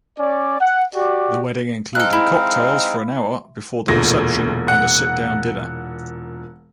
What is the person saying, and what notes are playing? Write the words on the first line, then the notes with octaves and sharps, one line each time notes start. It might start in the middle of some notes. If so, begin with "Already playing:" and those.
The wedding included cocktails for an hour before the reception and a sit-down dinner.
C#4 D5
F#5
F#4 G4 D5
G#3 C4 D#4 A4 F5 F#6
E4
E1 D2 A#2 A#6
F#5